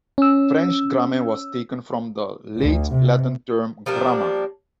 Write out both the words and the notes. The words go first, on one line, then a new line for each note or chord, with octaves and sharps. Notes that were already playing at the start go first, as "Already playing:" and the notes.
French "gramme" was taken from the Late Latin term "gramma".
C#4 E6
D2
C3
F3 G3 A#3 D4